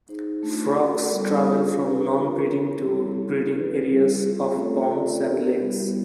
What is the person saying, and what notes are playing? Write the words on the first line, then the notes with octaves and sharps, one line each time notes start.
Frogs travel from non-breeding to breeding areas of ponds and lakes.
D#4 G#4 C5
A3 D4 F4
C#4 F#4 A#4 D5
G3 B3 E4 A4 C5
F4 G#4 C5 F5
D4 G4 B4
D4 F4 A#4
E4 A4 C#5
G3 C4 E4 A4 C#5
C#4 E4 A4
C4 E4 G4 B4
G3 C4 E4
C4 F4 G#4
A3 C#4 F4 A4 C#5
F4 A4 D5
D4 G4 A#4
G3 B3 E4